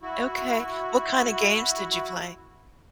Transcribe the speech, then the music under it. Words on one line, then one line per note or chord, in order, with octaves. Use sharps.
Okay. What kinda games did you play?
E4 F#4